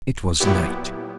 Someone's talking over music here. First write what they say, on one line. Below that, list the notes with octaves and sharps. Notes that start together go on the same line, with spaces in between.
It was night.
A#2 F#3 B3 E4 G4